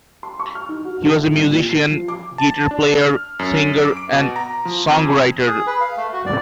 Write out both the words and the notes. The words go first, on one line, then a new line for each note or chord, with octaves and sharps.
He was a musician, guitar player, singer, and songwriter.
C6
C#6
F6
D#4
F#4
D3
A2
C2
A#2
C7
F3
D6
A5
D4
F6
F#2
D6
D7
B2
A#5
F3
F2
G#4
B4
F5
A3
F#4
D5